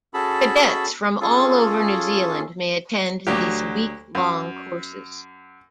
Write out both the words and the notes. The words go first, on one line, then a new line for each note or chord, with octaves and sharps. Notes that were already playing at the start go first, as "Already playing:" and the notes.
Cadets from all over New Zealand may attend these week long courses.
C#4 F#4 G#4 A4 A5 B5
C#4 F4 G#4 A4
D2 F#3 G4
F#2